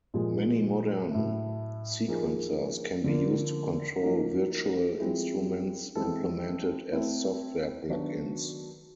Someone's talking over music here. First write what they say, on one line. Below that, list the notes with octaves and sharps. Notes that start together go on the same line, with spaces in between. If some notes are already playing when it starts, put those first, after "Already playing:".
Many modern sequencers can be used to control virtual instruments implemented as software plug-ins.
A#2 F3 G#3
A2 F#3 A3
F3 A#3 D#4 G#4
D3 F3 A#3
F3 A#3 D#4
F3 G#3 C4 E4 G#4
E3 G#3 C4 E4 A4
A3 C4 E4
D#3 F#3 B3 D4 F#4